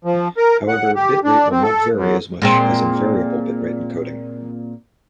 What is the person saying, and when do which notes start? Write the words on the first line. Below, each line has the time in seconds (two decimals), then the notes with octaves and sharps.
However, bitrate will not vary as much as in variable bitrate encoding.
0.05 F3
0.37 A#4
0.68 F#5
0.96 G4
1.24 D4
1.51 C4
1.63 A4
1.95 F#2
2.42 A#2 G#3 C4